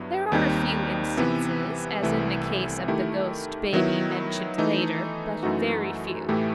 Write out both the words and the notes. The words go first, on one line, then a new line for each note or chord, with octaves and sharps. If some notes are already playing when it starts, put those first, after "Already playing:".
There are a few instances, as in the case of the ghost baby mentioned later, but very few.
Already playing: G2 F#3 B3 E4
D#2 D#3 G3 C4 D#4
C3 E3 B3
C2 C3 E3 A3
D#3 A3 E4 G4
D#3 F#3 B3 E4
E3 A3 D#4
F#2 E3 A3 D#4 F#4
A2 E3 A3 E4 G4